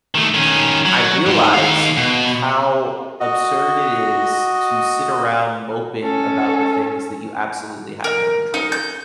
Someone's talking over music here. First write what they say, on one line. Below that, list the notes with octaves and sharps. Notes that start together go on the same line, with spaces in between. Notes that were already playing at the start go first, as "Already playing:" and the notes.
I realized how absurd it is to sit around moping about the things that you absolutely have no control over.
D#3 A3
D#3 C#4
F#3
G#2
D#3 F5
B2
F#4 D#5
C#4 A4
A#4
D#4
G6